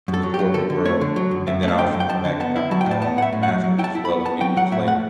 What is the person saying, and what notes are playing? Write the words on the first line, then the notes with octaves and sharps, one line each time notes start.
to the corporate world, and then I also went back and got my, uh, masters, as well, a few years later.
F#2
A4
F#3
G4
F#3
D3 A4
D3
A3 C#5
D3
F#3
F#2
F#2 E5
A3
A5
D3 G5
F#2
G5
F#2 A5
D3
B3 A5
E4
F#3 A5
G5
A2
A5
B3 A5
A2 F#5
E5
A2
F#5
F#3
F#3
E4 G5
A5
E4
B5
B3
B3 A5
F#3 G5
F#3 F#5
A2 E5
A3 F#5